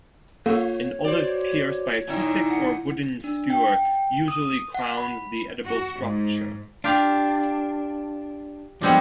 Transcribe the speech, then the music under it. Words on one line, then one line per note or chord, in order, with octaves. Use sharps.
An olive pierced by a toothpick or wooden skewer usually crowns the edible structure.
A#3 F4 A4 C#5 F5
F#4 C5 D5
A#2 D#3 D#4 E4
F#5
D4
G5
D#6
F#5
B5
F#4
G#2
D4 F4 G4 F5
F3 G3 G#3 B3 C4 D4